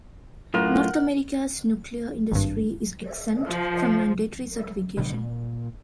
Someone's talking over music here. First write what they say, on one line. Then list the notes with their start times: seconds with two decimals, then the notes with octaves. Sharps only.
North America's nuclear industry is exempt from mandatory certification.
0.54 F#2 A2 F4 A#4 F#5
2.32 G#1 G2
3.45 F3
4.97 B2 D3 G3 G#3
5.12 A#2